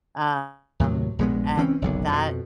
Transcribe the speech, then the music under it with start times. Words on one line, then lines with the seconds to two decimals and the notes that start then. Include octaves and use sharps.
Um, and that
0.80 D#2 A2 C3 F#3
1.19 A#1 G2 G#3 B3
1.57 E3 C4 C#4
1.82 F#1 B1 D3
2.08 F2 B2